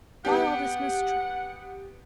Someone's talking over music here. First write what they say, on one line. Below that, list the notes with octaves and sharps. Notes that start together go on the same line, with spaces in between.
Why all this mystery?
B3 G4 F#5